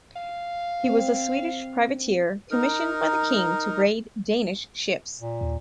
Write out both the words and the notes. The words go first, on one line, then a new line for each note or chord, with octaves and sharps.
He was a Swedish privateer commissioned by the king to raid Danish ships.
F5
C4
D#4 A#4
A#2
D#2